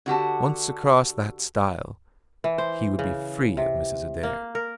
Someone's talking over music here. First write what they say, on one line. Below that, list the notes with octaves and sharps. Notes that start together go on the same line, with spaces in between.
Once across that stile, he would be free of Mrs. Adair.
D3 F#4 G4 A5
E3
C5
C#3
C3
A#3
A#4